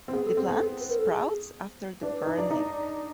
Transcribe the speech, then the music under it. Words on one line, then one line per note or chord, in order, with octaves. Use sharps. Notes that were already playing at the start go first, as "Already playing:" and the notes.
The plant sprouts again after burning.
C4
B3 G#4
A4
C4 G#4
B3 A4
G#4
B4
A#4
A4
G#4
D4 B4
D#4
D4
D#4